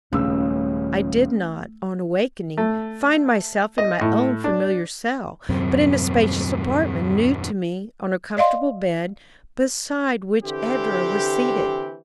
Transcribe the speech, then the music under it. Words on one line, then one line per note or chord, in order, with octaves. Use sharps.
I did not, on awakening, find myself in my own familiar cell, but in a spacious apartment new to me, on a comfortable bed, beside which Edra was seated.
D#1 C#2 C#3 A3 C#4 E6
A3
D#5
A2
D4
D#1 F#2 C3 C4
D5 D#5 F5 C6
D3 E3 C4 G4